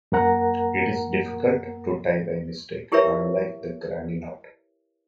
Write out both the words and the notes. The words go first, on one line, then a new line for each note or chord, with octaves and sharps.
It is difficult to tie by mistake, unlike the granny knot.
F#2 A#3 A#4 F#5 A#5
E4 G4 A#4 B4 C#5 E5